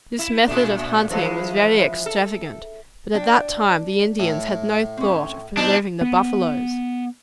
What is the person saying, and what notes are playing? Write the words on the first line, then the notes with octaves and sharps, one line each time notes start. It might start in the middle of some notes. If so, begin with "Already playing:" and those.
This method of hunting was very extravagant, but at that time the Indians had no thought of preserving the buffaloes.
E4
A#2 A3 D4
E3 F3 G#3
A4
D4 G5
A2
C4 C#4
B2 D4 D#4 C5
B3